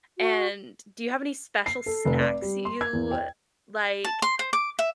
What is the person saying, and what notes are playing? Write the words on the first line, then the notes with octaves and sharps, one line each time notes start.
and do you have any special snacks you, uh, like
F#4
C7
A4
F1
D5
G3
C6
G#6
E2
G5
A5
C6
C5
D6
E5